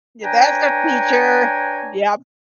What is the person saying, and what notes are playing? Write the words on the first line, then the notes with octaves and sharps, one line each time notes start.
Yeah, that's a teacher. Yep.
D4 B4 C#5 G5 G#5 A#5